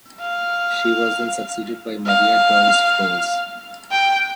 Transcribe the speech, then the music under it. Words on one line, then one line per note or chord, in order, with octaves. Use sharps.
She was then succeeded by Maria Torres-Flores.
F5
F5
G5